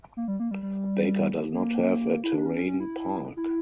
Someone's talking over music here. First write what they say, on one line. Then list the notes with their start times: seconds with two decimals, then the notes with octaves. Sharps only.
Baker does not have a terrain park.
0.17 A#3
0.28 G3
0.40 A#3
0.51 G3
0.63 G3
1.53 A#3
2.24 E4
2.35 D4
2.45 C#4
2.57 C#4
2.68 C#4
2.80 E4
3.37 E4